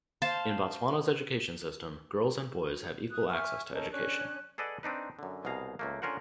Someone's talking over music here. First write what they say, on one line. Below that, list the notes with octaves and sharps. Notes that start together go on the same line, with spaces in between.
In Botswana's education system, girls and boys have equal access to education.
C5 F5 A5
D#6 F#6
E5 G#5 C#6 F6
C#4 A4 A#4 D#5
C#4 D4 C#5 F#6
G#4 A4 B4 D5 D#5 F#5
C4 D4 D#4 B4
F#2 D3
C2 B2 G#4 F5 A#5
C#2 A3 A#3
D3 C#4 F4 A#4 C5 F#5